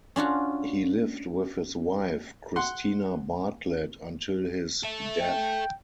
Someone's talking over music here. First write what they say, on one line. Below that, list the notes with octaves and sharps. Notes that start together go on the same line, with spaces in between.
He lived with his wife Christina Bartlett until his death.
C#4 D4 F4 F#4
F#5 C6
A4 E5
G5